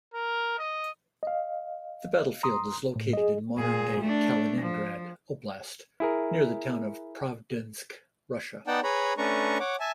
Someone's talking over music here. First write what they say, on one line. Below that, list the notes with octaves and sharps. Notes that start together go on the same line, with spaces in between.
The battlefield is located in modern-day Kaliningrad Oblast, near the town of Pravdinsk, Russia.
A#4
D#5
D#5 F5
A#5 C6 D#6
A2
G#4 D#5
A#2 G#4
A3 D4
F3
E4 G#4 A#4
B3 D#4 D5 F#5 G5 A5
G#4 B4 C#5 A#5 B5
A3 C#4 D4 B4 A#5 C#6
C#5 F#5 D6
E5 G#5 A5